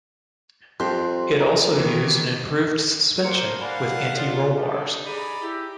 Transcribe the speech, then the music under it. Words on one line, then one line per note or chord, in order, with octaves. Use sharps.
It also used an improved suspension with anti-roll bars.
F2 G3 G4 C5 C6
A#5
D#3 E3 A#3
A#3 C4 D4 C5 A#5 C6 C#7
D5 F5 F#5 G#5 B5
F4 A4 C#5
D4 D#4 G4
G#4 D5 A#5 B5 D#7
E4 G4